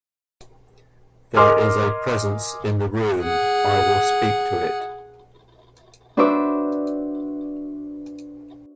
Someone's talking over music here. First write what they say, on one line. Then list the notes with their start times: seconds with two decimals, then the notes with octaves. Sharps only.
There is a presence in the room; I will speak to it.
1.37 A#4 D#5 G#5 C6 D6 F6
3.20 G#4 F#5
6.17 D4 F#4 B4 C5 E5 D6